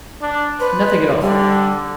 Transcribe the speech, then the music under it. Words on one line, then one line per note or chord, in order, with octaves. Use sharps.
"Nothing at all."
D4
B4 C5
D3 G3